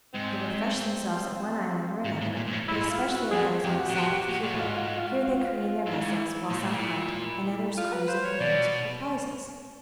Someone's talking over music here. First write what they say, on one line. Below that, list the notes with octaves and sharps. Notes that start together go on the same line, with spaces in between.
They refresh themselves at one island or another, but especially at those on the south of Cuba; here they careen their vessels, while some hunt, and others cruise in canoes for prizes.
G#2 C4
G#2
A2
A#2
G#2
A2
G#2 E4
F4
F#4
F2 G#4
F2 G4
F#4
A#2
B2 F#4
G4
F#4
A#2
A#2
A2
G#2 F4
F#4
F4
F#4
F4
F#4
F4
F#4
F4
G#2 E4
G2
G#2
A#2
A2
A#2
F4
B4
C5
C#5
B2 D5